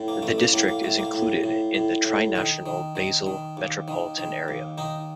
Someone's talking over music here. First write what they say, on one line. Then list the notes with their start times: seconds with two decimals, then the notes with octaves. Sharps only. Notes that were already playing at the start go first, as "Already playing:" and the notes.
The district is included in the trinational Basel metropolitan area.
Already playing: A2
0.08 A#3
0.22 A1 A3
0.38 A#3
0.52 A2 A#3
0.68 A#3
0.83 A2 A3
0.99 A#3
1.13 A2
1.44 A2
1.75 A2
2.05 A2
2.35 D#3
2.66 D#3
2.95 D#3
3.26 D#3
3.57 D#2
3.88 D#3
4.18 D#3
4.48 D#2
4.78 D#3 D#4